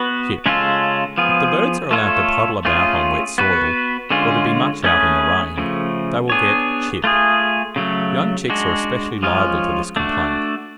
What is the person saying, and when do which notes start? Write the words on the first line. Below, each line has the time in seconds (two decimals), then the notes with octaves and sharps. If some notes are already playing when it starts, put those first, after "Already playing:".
CHIP.--If the birds are allowed to puddle about on wet soil, or to be much out in the rain, they will get "chip." Young chicks are especially liable to this complaint.
Already playing: B3 F#4 B4
0.46 C#3 G#3 C#4 F4 A4
1.18 F3 B3 F4 G#4
1.91 A3 F4 A4 C#5
2.65 A3 C#4 F4 G#4
3.38 B3 F#4 B4
4.10 D3 G#3 C#4 F4
4.84 A3 C#4 G#4 B4
5.58 C#3 F3 A3
6.30 B3 D4 G#4 C#5
7.04 A3 F4 G#4
7.76 C#3 F#3 A3
8.50 G#3 D4 F#4
9.23 F3 G#3 C#4 F4
9.96 A3 D4 F#4